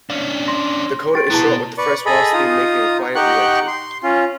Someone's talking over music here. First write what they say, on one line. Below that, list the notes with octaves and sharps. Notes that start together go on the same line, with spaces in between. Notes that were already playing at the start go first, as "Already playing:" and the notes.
The coda is short with the first waltz theme making a quiet reentry.
C#4 D4 F5
C6 A#6
G4 G5 A6 D7
B2 B3 E4 G#4 A5
B4 D5 C#6
G#4 A4 D#5 B5
D#4 F4 D#6
D#4 G4 F#5 G5 C#6 F#6
C6
C#4 F4